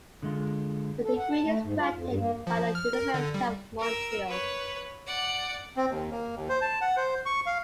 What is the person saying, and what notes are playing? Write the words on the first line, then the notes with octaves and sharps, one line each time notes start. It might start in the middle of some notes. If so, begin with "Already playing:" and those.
The degree is granted by the University of Montreal.
D3 G#3 F4
A4
F#5
A5
A3
G#2
F4
F2
G2
A#3
F3
F6
A#4
D3
G3
A#4 E6
B4 C#5
D5 F#5
C4
D#2
A#3
D#2
C5
A5
F#5
C5
C#6
F5